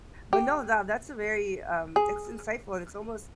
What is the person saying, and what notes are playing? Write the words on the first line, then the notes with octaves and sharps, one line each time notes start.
but no, that that's a very, um, it's insightful, and it's almost,
G4
G#4